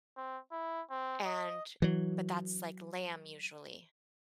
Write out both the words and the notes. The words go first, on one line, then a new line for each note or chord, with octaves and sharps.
and but that's, like, lamb usually,
C4
E4
C4
D#5
E3 F#3